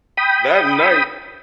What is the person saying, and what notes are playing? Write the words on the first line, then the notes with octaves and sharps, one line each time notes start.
that night
G5 B5 D#6